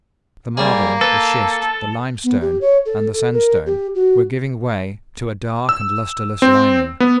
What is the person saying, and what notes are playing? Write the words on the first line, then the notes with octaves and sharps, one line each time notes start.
The marble, the schist, the limestone, and the sandstone were giving way to a dark and lustreless lining.
G3 A#3 G#4
A4 B4
B3
G4
C#5
A4
A4
A#4
G4
F#4
E6
C4
B3